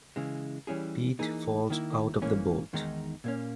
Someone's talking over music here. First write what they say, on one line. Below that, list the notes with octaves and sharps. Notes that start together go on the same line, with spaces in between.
Pete falls out of the boat.
C#3 E3 G#3
E3 G3 C#4 E4 G#4
E3 A#3 D#4 G#4
D#3 A#3 E4
G#2 E3 A#3 C#4 G#4
E2 D#3 G#3 D#4
A#2 A#3 C#4